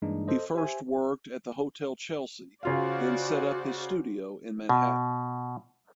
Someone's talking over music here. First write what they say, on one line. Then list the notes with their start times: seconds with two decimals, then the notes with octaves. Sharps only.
He first worked at the Hotel Chelsea then set up his studio in Manhattan.
0.02 G2 E3 G#3 A#3 D4 D#4
0.28 A4 C5 D#5
0.54 G4 C5 E5 G#5
2.63 C#3 F4 F#4 C5 D5 F5
4.69 B2